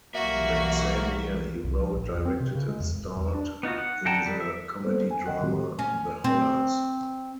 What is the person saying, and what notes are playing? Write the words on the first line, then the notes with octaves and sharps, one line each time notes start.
That same year, he wrote, directed and starred in the comedy-drama "The Hollars".
B1 E3 G3 A#3 F#4 E5
C2
F3
A1
E2
C4
C3
C#3
G#3
E2
D1
E2
D4
B3 D#4 F4 F#4
F#5
D3 F#5 G5 A5 A#5
G3
E5
G3 A#3 B3 A4 C5
G#5
C#2 D3 D#5 F#5 G5 F#6
A2 D#3 G#3 C4 F#4 G4
C#4
C4